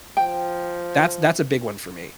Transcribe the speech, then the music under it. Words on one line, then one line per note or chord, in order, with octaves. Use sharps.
That's that's a big one for me.
F3 G5